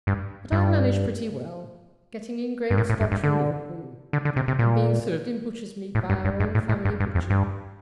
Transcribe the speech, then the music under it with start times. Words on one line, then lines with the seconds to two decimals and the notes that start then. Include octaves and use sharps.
But I manage pretty well, getting in great stocks from Liverpool, and being served in butcher's meat by our own family butcher.
0.07 G2
0.52 G2
2.70 G2
2.77 A2
2.90 A2
3.01 G2
3.12 G2
3.24 D3
4.13 D3
4.25 D3
4.36 C3
4.48 C3
4.59 A#2
5.95 A2
6.10 G2
6.25 G2
6.40 G2
6.55 A2
6.69 A2
6.85 G2
7.00 G2
7.15 F2
7.30 G2